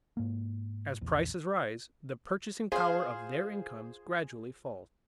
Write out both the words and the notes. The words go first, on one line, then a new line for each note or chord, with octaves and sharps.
As prices rise, the purchasing power of their incomes gradually falls.
G#2 A#3
A#1 E2
F4 G#4 C5 F5